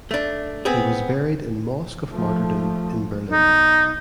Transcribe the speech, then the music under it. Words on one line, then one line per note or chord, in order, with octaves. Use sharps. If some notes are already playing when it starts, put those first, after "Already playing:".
He was buried in Mosque of Martyrdom in Berlin.
A3 D4
B3 C4 G#4
F3 A3
B1 D#4